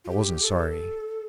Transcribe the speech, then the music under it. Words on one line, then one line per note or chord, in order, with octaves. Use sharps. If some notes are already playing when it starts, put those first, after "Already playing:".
I wasn't sorry.
F4
G4
A4